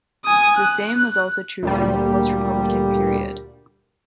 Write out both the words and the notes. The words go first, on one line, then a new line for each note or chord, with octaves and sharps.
The same was also true in the Post-Republican period.
G#5 D#6
F#6
D2 A#2 G3